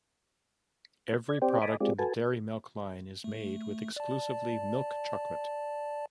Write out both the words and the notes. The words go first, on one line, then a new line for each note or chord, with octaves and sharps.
Every product in the Dairy Milk line is made with exclusively milk chocolate.
D5 G#6
C4 G4 C5 D5 G5
D#5 G#5 A5 B5 D6 D#6
G#3 C4 F4 G4 G#4 D5
F#4 A4 B4 G#5 A5
A3
D5 A5